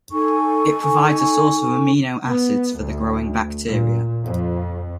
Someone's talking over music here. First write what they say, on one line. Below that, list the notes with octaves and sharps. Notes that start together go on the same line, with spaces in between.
It provides a source of amino acids for the growing bacteria.
D#4 A4 G#5 C#6
B3
D2
A#2
F2